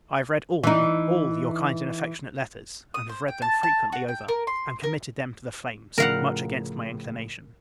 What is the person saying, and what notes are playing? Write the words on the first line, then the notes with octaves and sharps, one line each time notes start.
I have read all, all, your kind and affectionate letters: and have read them frequently over; and committed them to the flames, much against my inclination.
E3 D#4
D#6
C5
G5
A5
A5
F#4
G5
A#4
C6
A#4
A2 C#3 F3 A#4 F5 F#5